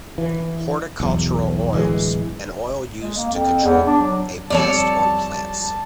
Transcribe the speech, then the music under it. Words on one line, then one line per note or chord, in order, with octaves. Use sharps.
Horticultural oils: An oil used to control a pest on plants.
E3
B1 E2
D1 E3 G#3
G#3
A#3
F2
E2
D4
F#3
F2 G3 A4 C#5 D5 A5